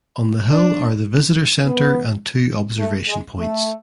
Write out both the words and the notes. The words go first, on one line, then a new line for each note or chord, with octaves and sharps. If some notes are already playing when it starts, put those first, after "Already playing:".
On the hill are the visitor center and two observation points.
D4
B3
A3
G#3
A3